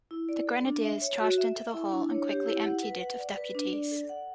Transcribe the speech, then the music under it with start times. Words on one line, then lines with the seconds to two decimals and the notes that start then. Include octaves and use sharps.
The grenadiers charged into the hall and quickly emptied it of deputies.
0.11 E4
0.29 D5
0.47 A4
0.65 D4
0.83 E5
1.01 C#5
1.20 F#4
1.38 E5
1.55 A4
1.73 E4
1.92 D4
2.10 C#5
2.28 G4
2.46 E4
2.64 F#5
2.83 B4
3.01 F#5
3.19 D5
3.37 B4
3.55 D4
3.73 D5
3.91 A4
4.09 F#5